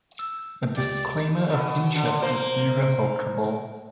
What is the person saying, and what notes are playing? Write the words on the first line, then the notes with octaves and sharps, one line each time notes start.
A disclaimer of interest is irrevocable.
E6
C#2 G4 D5
B2
D3
A#3 C5